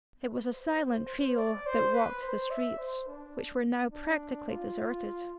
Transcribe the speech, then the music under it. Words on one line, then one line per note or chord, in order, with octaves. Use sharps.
It was a silent trio that walked the streets, which were now practically deserted.
B4
C5
C5
D5
C5
B4
C5
E5
C5
D4
D4
F4